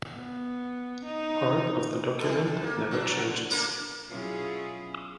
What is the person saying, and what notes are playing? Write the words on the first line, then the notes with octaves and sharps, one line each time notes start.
Part of the document that never changes.
B3
D#4
D#3 A4
A#3
F#3 D4
D3
A#3 D4 A#4
B2 F#3 C#4 E4 F4 G#4